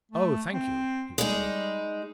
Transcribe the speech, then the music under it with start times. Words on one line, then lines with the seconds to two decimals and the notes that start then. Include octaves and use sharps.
"Oh, thank you!" he returns.
0.11 A3
0.52 C4
1.18 G3 G#3 D#4